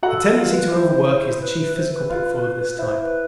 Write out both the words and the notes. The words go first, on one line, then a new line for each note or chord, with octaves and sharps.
A tendency to overwork is the chief physical pitfall of this type.
F#4 A4 F#5
A#4
F4 F5
B4
E4 C5 E5
B4
B4
C5
B4
F4 F5
E4 C5 E5
B4